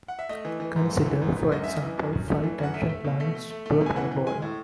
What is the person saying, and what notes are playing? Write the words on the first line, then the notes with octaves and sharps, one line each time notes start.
Consider, for example, five tangent lines to a parabola.
F#5
E5
A3 D#5
E3
E3
G#2
A3
E3
G#2
G#2
F#2 D#5
F#2 E5
D#5
E3
F#2
F#2
A3
E3
F#2 F#5
A3 E5
A3
B2
A3
A3
A3
A3
B2
G#5
E3 F#5
E3
G#3 G#5
A2